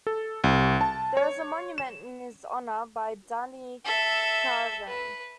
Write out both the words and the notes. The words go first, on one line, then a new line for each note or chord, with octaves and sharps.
There is a monument in his honor, by Dani Karavan.
A4
C2
A5
C#5
E7
A4 E5
B4